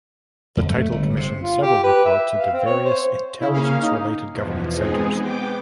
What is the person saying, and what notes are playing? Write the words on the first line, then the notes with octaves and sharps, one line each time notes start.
The title commissioned several reports into various intelligence-related government centers.
F2
A3
G1
C3
F4
G4
B4
E5
F5
C4
C#5
C5
C#3 E4
A#3 C#4 F5
D#4
E2 B2 E3 F3
G#3 B3 C4 D#4 G#4
B3 G5 D6